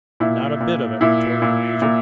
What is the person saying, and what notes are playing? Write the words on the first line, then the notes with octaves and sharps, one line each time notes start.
"Not a bit of it," retorted the major.
A#2 E4
A#2
A#2 E4
A#2
A#2